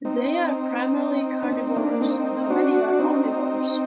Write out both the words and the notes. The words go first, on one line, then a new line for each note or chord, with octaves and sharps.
They are primarily carnivorous, though many are omnivorous.
C4 D#4
D4
C4 D#4
A#3 D4
C4 D#4
D4 F#4
C4 D#4